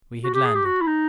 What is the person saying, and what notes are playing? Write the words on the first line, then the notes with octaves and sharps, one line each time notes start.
We had landed.
F#4
G4
G#4
G4
F#4
E4
D#4